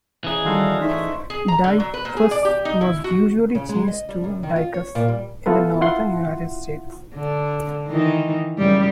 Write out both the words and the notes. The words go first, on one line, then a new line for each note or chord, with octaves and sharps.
"Deicws" was usually changed to "Dicus" in the northern United States.
C#3 E3 D#4 G#4 E5
D#3 G3 D#4 F4 F#4 A4 D5 F5
A3 D#4 F4 C5 E5 C#6
G#4
A#5
D3
F#3
B4
A#2
G#4
D5
G4
D#4
E4
F#4
C#3
G#3
D#5
G3
F#2
D#3
F4
C#5
A#2
G3
B3 E4 F4 A4 B4
E4 F4 F#5 C6
D3
D#3 E3 D#4
F#2 C#3 G3